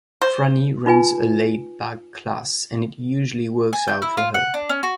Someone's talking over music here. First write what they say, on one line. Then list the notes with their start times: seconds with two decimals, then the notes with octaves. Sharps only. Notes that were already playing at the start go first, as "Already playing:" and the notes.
Franny runs a laid back class and it usually works out for her.
0.21 C5
0.86 D#4 F4 B4 G#5
3.73 G#5
3.88 G6
4.02 E4
4.17 F4
4.34 F#5
4.54 D4
4.69 C#4
4.83 F#4